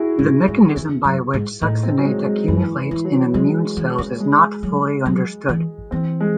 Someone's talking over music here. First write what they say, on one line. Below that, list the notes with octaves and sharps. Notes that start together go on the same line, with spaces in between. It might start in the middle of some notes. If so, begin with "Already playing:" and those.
The mechanism by which succinate accumulates in immune cells is not fully understood.
Already playing: E4 F#4 G#4
G#2
G#2
E2
F#2
G#2
A2 D#4
C4
F#3
G#3
G#3
F#2 E3
E3
E3
F#3
F#3 G#3
E3
C#3
G#3
F#3
F#3
E3
E3 C4
G#3